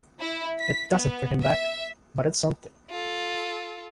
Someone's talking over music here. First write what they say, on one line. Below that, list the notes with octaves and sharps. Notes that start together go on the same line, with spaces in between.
It doesn't bring him back, but it's something.
E4
B6
B3
E5
F4 A4